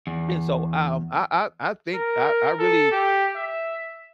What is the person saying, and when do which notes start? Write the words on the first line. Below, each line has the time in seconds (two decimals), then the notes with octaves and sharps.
and so, um, I I I think I I really,
0.07 E2
1.94 A#4
2.59 A4
2.92 G4
3.36 E5